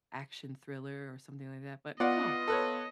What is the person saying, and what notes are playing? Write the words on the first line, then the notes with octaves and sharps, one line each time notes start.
action thriller or something like that. But, oh.
B3 F4 D5 D#5 F#5
A4 B4 C#5